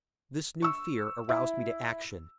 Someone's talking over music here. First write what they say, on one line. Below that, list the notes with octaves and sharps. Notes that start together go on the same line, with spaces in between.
This new fear aroused me to action.
C#6 E6
E4